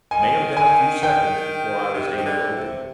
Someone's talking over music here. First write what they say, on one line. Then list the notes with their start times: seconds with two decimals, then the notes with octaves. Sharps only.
It may have been a few seconds before I was able to open them.
0.11 D#3 G#5
0.57 G#5
1.03 G5
1.94 C3
2.18 D#3
2.25 D3
2.56 C3